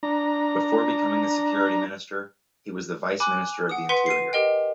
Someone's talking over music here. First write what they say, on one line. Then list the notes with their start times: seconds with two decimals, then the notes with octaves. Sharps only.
Before becoming the security minister, he was the vice minister of the interior.
0.03 D4 A#5
3.20 G#5 B5 D6 F#6
3.69 F#5 D#6
3.89 B4 F#5 C6 B6 D#7
4.06 C7 D#7
4.33 G4 A#4 D#5 G5